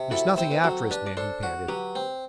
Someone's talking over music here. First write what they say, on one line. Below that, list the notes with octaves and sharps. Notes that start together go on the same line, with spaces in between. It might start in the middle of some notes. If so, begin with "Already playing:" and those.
"There's nothing after us, men," he panted.
Already playing: C3
E4 F#4 A4
C4 C5
B4
F#3 F#4 A4
D4 G4 B4
D5
D4 A4 C5
F#4
F#3 G4 B4
C4